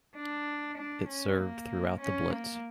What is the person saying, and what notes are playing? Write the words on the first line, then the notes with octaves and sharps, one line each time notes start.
It served throughout the Blitz.
D4
D4
C#4
A#3
C#4
A#3